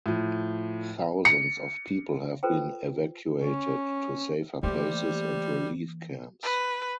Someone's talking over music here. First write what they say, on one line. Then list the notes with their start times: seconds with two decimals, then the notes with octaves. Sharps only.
Thousands of people have been evacuated to safer places and relief camps.
0.06 A2 F3
1.25 C#7
2.43 F4 A4 B4 C5 G5
3.42 C#4
4.63 E3 G3 A3 A#3 G4 C5
6.43 B4